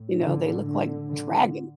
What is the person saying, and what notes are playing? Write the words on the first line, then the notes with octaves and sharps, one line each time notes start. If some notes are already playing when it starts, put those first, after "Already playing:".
you know, they look like dragon.
Already playing: A2
D3
D3
D3